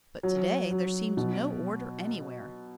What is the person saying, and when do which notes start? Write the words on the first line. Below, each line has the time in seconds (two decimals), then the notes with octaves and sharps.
But to-day there seemed no order anywhere.
0.23 F#3
0.71 F#3
1.17 B2